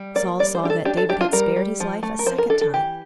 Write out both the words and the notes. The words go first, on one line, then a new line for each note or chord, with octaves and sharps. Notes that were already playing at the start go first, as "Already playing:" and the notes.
Saul saw that David had spared his life a second time.
Already playing: G3
A#3 D5
G3 D5
C5
D4 G4
A4
D4 G4
A4
D4 G4
F4
G3 A#4
G3
F3
A3
A#4
F3 C5
A#4
D4 A4
A4
E3 G4